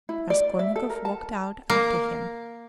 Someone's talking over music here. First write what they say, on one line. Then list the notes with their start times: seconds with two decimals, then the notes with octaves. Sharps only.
Raskolnikov walked out after him.
0.09 E4
0.30 D5
0.59 E5
0.76 A4
0.90 A#4
1.05 A5
1.70 A#3